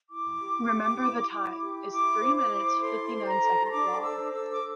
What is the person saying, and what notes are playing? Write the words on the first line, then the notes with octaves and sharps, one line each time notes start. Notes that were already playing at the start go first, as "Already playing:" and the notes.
"Remember the Time" is three minutes fifty nine seconds long.
E4 D6
G4
G4
E4
E4
G4
E4 D6
C5
D6
E4
A4 C6
C5
A#5
A4
C6
D4 D6
C5 E6
A4 E6
D6